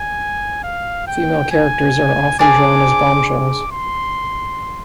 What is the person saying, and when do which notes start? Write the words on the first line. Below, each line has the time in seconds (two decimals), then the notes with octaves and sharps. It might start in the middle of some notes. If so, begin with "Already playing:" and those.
Female characters are often drawn as bombshells.
Already playing: G#5
0.63 F5
1.07 G5
1.51 G#5
2.39 D4 G#4 C5 D6
3.28 D6
3.72 C6